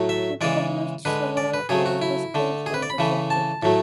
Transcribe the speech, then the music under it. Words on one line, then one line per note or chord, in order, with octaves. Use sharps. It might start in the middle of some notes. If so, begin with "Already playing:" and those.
He published several manifestos on the subject.
Already playing: A2 F#3 A3
E5
C#3 E3 G#3 D5
D3 G#3 B4
D5
B4
C#3 F#3 A3 G#4
F#4
E4
D3 A3
G#4
B4
D5
B5
C#3 E3 A3
A5
A2 F#3 A3